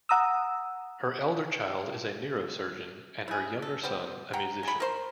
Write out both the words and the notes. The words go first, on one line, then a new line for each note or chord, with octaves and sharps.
Her elder child is a neurosurgeon and her younger son a musician.
F#5 A#5 D#6 E6
E4 G#4
A4
G3 B3 C4
F#5 G5 A#5
G#3 B5
A#4 C5 C6